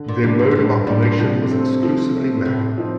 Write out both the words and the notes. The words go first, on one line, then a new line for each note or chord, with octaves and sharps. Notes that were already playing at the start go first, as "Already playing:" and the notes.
Their mode of operation was exclusively manual.
Already playing: D3
A#2
C3 G3 D4
A#2
A#2
A2 D3
G2
A2 G3 D4
A#2
C3 F3
A3 C4
F3
A3 C4
A2 C3
F3 C4 D#4